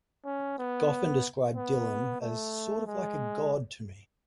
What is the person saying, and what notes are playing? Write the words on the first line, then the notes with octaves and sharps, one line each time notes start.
Goffin described Dylan as "sort of like a god to me".
C#4
B3
B3
A3
G#3